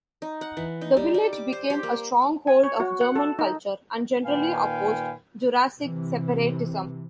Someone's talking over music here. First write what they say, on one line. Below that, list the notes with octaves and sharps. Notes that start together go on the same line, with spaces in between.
The village became a stronghold of German culture and generally opposed Jurassic separatism.
D#4
F#5
E3
D#4
G3
G3
D6
C5
G4
A#3
G#5
C#5
F#4
F#5
A4
D#4
A#2 D#3 B4 F5 G5 G#5
C3 E3